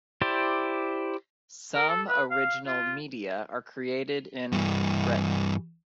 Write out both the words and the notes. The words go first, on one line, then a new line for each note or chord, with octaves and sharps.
Some original media are created in Breton.
E4 G4 C5 D5
A#4
A4
B4
F5
F4
G2 E3